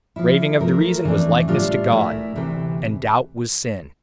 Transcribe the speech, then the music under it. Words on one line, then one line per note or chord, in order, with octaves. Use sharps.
Raving of the reason was likeness to God, and doubt was sin.
F3 A#3 E4
F3 A3 E4 A#4
F2 E3 A3 D4
A2 G3 D4 F4
A#2 A3 E4 A#4
D2 C3 E3